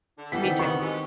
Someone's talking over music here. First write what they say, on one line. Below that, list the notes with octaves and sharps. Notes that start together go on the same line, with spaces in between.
Me too.
D3
E3 G3 B3 A4 B6
D#3 C4
B3 C#6
B2 G#3 G4 A4